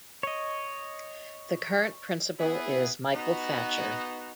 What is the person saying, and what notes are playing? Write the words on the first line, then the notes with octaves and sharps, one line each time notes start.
The current principal is Michael Thatcher.
C#5 D#5
B3 E4 G#4
B3 D#4 F#4